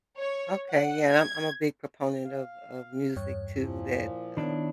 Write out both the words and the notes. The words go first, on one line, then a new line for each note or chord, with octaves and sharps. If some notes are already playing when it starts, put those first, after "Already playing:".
Okay yeah, and I'm I'm a big proponent of of music too that, um,
C#5
F#5
G#6
F5
E2 G2 C#5
A#2 F3 E4
D#3 B3 D4 E4 C#5